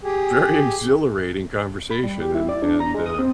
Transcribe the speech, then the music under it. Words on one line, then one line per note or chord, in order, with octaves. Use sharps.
very, exhilarating conversation and and, uh,
G4 G#4
B5
G3
G4
E4
D5
D4
A#5
G#3
D#6
C4